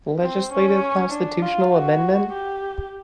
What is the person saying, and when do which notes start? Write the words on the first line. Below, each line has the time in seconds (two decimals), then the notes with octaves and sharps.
Legislative Constitutional Amendment.
0.21 C4
0.52 C#4
1.12 D4
1.42 F4
1.73 F#4
2.32 G4